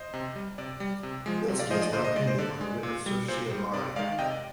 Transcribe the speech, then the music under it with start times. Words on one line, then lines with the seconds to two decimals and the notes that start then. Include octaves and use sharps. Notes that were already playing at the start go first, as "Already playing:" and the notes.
"Bilski" is now pending on writ of certiorari.
Already playing: C5 D#5
0.14 C3
0.36 G3
0.58 C3 D5
0.80 G3
1.03 C3
1.26 F3 G#3
1.48 C3
1.59 D5 F5
1.71 F3 G#3 C5 D#5
1.82 D5
1.93 D3 C5 D#5
2.04 C5 D#5
2.16 G#3 D5
2.27 C5
2.38 D3 D5
2.61 G#3
2.83 A#2
3.06 G3
3.28 A#2 C5
3.51 G3
3.74 C3 D5
3.96 D#3 G#3 D5 F5
4.19 C3 D#5 G5
4.30 D5